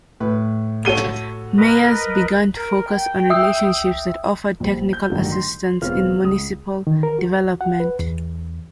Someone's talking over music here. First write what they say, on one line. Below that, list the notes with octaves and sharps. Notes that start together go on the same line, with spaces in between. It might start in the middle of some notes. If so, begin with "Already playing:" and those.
Mayors began to focus on relationships that offered technical assistance in municipal development.
A2 B4
F#4 G4 A4 C#5 D#7 G7
A#4 B4 D#5
A#4
G5
E5 D#6 E6
A#1 G3
G6
A1 G2 D3 D#3 F#3
C6
E1 B3 C4 F4 C#5 F6
C#2 D#6
D#3
A#4
F#4
F#5
B4
E2